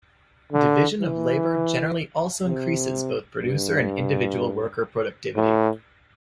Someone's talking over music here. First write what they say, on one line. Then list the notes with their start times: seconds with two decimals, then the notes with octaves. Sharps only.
Division of labour generally also increases both producer and individual worker productivity.
0.53 D3
1.01 E3
2.46 C3
3.42 G2
5.36 A2